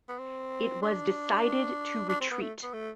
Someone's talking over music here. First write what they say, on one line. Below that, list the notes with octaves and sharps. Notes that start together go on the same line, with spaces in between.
It was decided to retreat.
B3
C4
D4
D4
C4
B3
A3
B3
A3